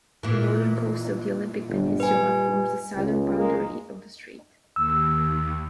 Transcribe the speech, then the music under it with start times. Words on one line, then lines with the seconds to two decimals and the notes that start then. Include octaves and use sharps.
The northern coast of the Olympic Peninsula forms the southern boundary of the strait.
0.23 A#2 E3
1.69 G1
2.00 G3 B4 G#5
2.96 C#2
3.35 G#3 A#3
4.76 D#2 E6